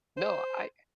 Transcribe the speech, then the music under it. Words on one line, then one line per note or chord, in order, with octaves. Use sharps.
No, I
C5